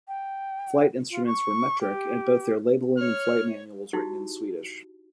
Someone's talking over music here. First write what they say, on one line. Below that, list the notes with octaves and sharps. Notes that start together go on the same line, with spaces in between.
Flight instruments were metric, and both their labeling and flight manuals written in Swedish.
G5
F4
C#6
G4
C#5 F6
D#4 E4 F#4 G4